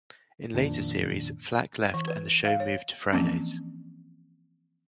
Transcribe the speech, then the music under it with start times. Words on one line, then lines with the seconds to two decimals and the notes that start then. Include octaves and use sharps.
In later series, Flack left and the show moved to Fridays.
0.54 F2 A#2 D#3 F3 A#3 D4
1.94 E3
2.08 B4
2.45 F5
2.60 C#5
3.12 E3 F3 A#3 C4 C#4